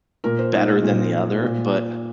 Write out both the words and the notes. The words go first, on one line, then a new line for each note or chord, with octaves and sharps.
better than the other, but
A#2 A#4
C5
D#4
D#4
A#2
A#2